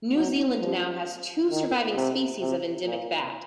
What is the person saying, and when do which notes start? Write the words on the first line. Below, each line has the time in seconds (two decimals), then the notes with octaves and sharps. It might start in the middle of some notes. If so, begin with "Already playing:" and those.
New Zealand now has two surviving species of endemic bat.
0.15 F#3
0.60 F3
1.50 D#3
1.95 C3
2.40 C3
2.85 A#2